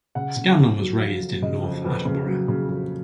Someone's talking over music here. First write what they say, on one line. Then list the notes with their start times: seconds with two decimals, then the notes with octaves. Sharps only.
Scanlon was raised in North Attleborough.
0.15 C#3 F#5
0.36 C#3
0.58 F2
0.79 F#3
1.00 F2 F5
1.21 F2
1.42 C#3 D#5
1.63 F2
1.84 F2 B4
2.05 C#3
2.27 F#3
2.48 C#3
2.69 F2